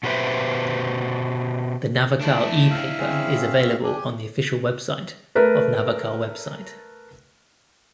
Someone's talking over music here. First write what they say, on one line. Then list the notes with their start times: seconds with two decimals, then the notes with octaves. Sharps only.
The Navakal ePaper is available on the official website of Navakal website.
0.03 B2 F#4 G4 B4 C5 E5
2.21 A3 D4 E4
2.71 E5 F5
2.99 C4 C#4 G#4
3.84 D4 G4 G#5 D6
5.35 A3 A#4 B4